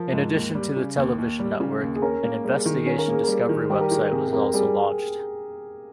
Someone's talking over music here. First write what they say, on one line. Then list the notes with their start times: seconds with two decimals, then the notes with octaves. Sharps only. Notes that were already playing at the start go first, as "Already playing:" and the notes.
In addition to the television network, an Investigation Discovery website was also launched.
Already playing: F3 A#4
0.13 G#2
0.34 D#2
0.55 G3
0.76 C#3
0.97 D#2
1.18 D#2
1.39 G3
1.60 C#3
1.82 D#2
1.96 G#4
2.02 C#4 A#4
2.23 A#3
2.44 G3 G#4
2.66 D#3
2.86 C#4
2.99 A#4
3.08 A#3 G#4
3.24 G3 A#4
3.49 D#3
3.70 G3 G4
3.81 A#4
3.91 D#3 G#4
4.02 G4
4.12 C3 G#4
4.27 G#4
4.33 F2 A#4
4.54 G3 G#4